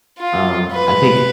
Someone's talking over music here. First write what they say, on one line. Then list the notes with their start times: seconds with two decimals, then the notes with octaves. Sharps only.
Um, I think
0.18 F4
0.72 B4